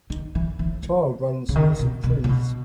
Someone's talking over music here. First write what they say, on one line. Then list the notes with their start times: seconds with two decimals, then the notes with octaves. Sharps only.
A child runs near some trees.
0.10 D#3
0.35 E3
0.59 E3
0.82 E3
1.49 C#3
1.56 D#3
1.79 B2
2.04 B2
2.24 C#3
2.29 B2